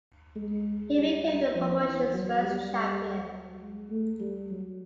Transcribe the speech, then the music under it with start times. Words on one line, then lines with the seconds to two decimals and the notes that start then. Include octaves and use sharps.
He became the promotion's first champion.
0.36 G#3
0.95 G3
1.25 G3
1.54 F3
1.83 E3
2.13 F#3
2.42 G3
3.32 F#3
3.61 G#3
3.90 A3
4.20 G3
4.50 F#3